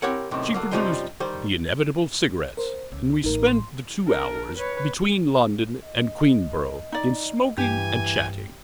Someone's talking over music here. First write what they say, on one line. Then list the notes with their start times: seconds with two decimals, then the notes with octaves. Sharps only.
She produced the inevitable cigarettes, and we spent the two hours between London and Queenborough in smoking and chatting.
0.02 C4 E4 G4 A#4 C#5 F#5
0.31 F#2 A2 C3 D#3
0.54 D3 F#3 A#3
0.71 F#2 C3 F3 G3 D#4 C6
1.20 D#3 G3 C5
2.57 A#4 C5
2.92 C#2 C#4
3.24 A1 A2 D#4 A#4
3.47 C6
4.05 D4 A#4
4.57 B4 C#5
5.84 D#5
6.92 D#4 D5
7.58 G2 E3 G4 G#5